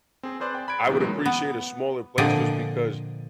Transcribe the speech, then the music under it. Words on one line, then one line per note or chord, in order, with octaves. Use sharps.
I would appreciate a smaller place just because
C4 G#4
G#4 B4 C5 D5 F#6
G5 A6
B5 F#6 G#6 D7
A#2 D#3 E3 F#3 B3
D#3 E3 F#3 G#3 B3 C#4
B3
A#2 D3 F3 C4 D5 D#5